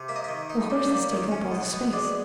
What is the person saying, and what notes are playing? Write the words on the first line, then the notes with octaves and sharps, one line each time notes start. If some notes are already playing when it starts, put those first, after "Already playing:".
"The horses take up all the space."
Already playing: C3
A#3 E5
D#5
D#3 E5
D#4
G3
A#3
D#3
C#4
B2
B2
G#3 D5